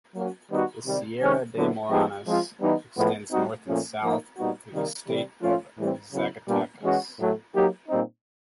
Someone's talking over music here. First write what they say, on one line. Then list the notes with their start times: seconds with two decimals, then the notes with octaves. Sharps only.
The Sierra de Morones extends north and south through the state of Zacatecas.
0.15 F#3 A#3 C#4 F#4
0.51 D#3 G3 B3 D#4 F#4
0.86 C3 D#3 G3
1.21 D#3 G#3 C#4
1.56 D3 F#3 B3 E4
1.91 F3 G#3 B3 D#4 G4
2.27 F3 G#3 C4 F4
2.61 E3 G3 B3 D#4
2.97 A2 F3 G#3 B3
3.32 G3 C4 D#4 F#4
3.67 A#2 F3 A3 C#4
4.03 F3 A#3 D#4
4.38 A#2 G3 B3 D#4 F#4
4.73 C3 D#3 G3 A#3
5.08 C3 E3 G3
5.43 F3 A3 C#4 F4
5.78 A2 E3 G3 C4
6.13 C#3 F#3 B3 E4
6.48 A#2 G3 B3 D4
6.83 E3 G#3 C#4 F#4
7.19 A2 F#3 A3
7.55 F#3 A#3 D#4 G4
7.89 A#2 G3 C4 D#4